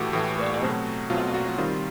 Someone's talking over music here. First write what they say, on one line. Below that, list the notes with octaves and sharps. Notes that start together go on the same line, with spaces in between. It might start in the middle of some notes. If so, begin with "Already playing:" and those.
pretty well. Um.
Already playing: A2 E3 A3 F#4 G4
A2 E3 A3
B2 F#3 A3 C4
B2 F#3 A3 C4 F4
F#4
D#3 G3 C4 F4